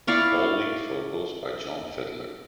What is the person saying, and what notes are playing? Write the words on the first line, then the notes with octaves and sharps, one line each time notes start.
All lead vocals by John Fiddler.
E4 D5 F5 C#6